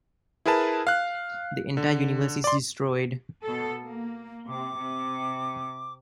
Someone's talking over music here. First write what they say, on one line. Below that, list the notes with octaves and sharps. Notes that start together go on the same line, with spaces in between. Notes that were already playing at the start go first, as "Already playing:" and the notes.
The entire universe is destroyed.
E4 G#4 A#4 B4 A5
F5 F#6
D3
D5 C6
B2 A4
A#3
C3 D6
C3